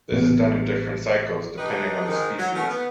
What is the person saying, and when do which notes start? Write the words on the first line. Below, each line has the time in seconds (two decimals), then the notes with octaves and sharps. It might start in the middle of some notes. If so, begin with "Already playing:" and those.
This is done in different cycles, depending on the species.
0.12 A1 B3
1.58 D4 D#4 G4 B4 D#5
2.08 G#2 D#3
2.38 F#3
2.54 B2 A3 B3 C#4 F#4 A#4
2.69 B3